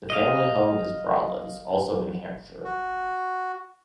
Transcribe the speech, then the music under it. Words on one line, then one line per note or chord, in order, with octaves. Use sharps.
The family home is Broadlands, also in Hampshire.
D#5 F5
F#4